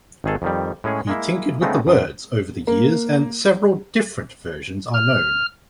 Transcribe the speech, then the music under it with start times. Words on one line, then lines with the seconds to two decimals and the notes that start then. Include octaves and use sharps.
He tinkered with the words over the years and several different versions are known.
0.24 G#1 D#3 G#4 A4
0.42 F2 D#3 G3
0.84 A2 G#3 C#4 G#4
1.07 G#3 A#3 E4
1.62 C#3 G#3 A3 B3 C4 D#4
1.87 F#2
2.67 A#3
4.94 F6